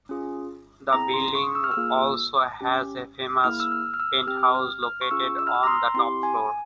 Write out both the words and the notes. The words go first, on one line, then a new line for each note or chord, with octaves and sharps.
The building also has a famous penthouse located on the top floor.
C#4 F4 G#4
C4 E4 G#4 A#5
C6
C#6
E6
F6
E6
A#3 F4 G#4
C#4 G4
A#3 E4 G#4 F6
E6
F6
F6
E6
C4 G4 F6
F6
F6
C#6
C#4 F4 G#4 E6
E6
F6
E6
A#5
C6
C4 E4 G4 C6
G#5